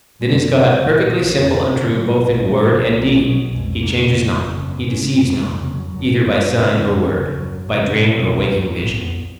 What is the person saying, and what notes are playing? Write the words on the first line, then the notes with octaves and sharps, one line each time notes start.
Then is God perfectly simple and true both in word and deed; he changes not; he deceives not, either by sign or word, by dream or waking vision.
G#3
F#2 F#3
G#1
G#3
C#3
A#2 A#3
A#2
A#1
F2 B3
F#1
C#3
G#2 F#3
G#2
A#1
A#2 D#3
A#2 D#3
F3
B1
B2 F3
B2
F#3
B1
F2 G#3
F1
A#3
C#3
F2
F#1
C#3
F#2 B3
G#1
C#4
C#3
F2 B3
F1
A#3
C#3
F2 F#3
F#1 F#3
F3
C#3
F#2 F#3
G#1
B3
C#3 C#4
B3
F2 A#3
F#1
F#3
C#3
F#2 F#3
G#1
C#3
B2
B2
C#2
G#2 G#3
G#2 A#3
A#1 B3
F2 B3